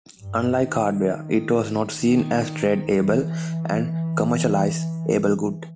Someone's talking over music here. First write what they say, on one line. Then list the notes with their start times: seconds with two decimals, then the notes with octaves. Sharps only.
Unlike hardware, it was not seen as trade-able and commercialize-able good.
0.17 G2
0.63 D#3
2.00 D#3
2.92 E3